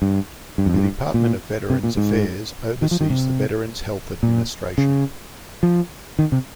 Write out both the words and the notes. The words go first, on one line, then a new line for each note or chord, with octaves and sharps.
The Department of Veterans Affairs oversees the Veterans Health Administration.
G2
G2
F2
G2
A#2
C3
A#2
G#2
D#3
F3
D#3
C3
A#2
C#3
F3
D#3
C3